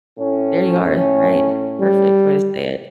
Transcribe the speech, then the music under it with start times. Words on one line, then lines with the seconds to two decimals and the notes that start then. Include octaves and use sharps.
There you are, right, perfect way to say it.
0.18 A2 C#4
1.80 G3